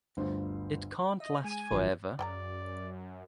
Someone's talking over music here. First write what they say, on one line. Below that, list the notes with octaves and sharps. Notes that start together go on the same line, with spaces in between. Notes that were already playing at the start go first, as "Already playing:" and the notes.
It can't last for ever.
G1 D2 F4 C5
D#5 E5
G#3 G#5
G#1 F3 F4
F#2 C#3 D5 G5 A#5